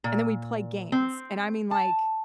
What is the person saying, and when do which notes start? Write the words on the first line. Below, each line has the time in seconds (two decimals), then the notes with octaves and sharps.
and then we'd play games, and I mean, like,
0.04 A#2
0.92 C4
1.71 A5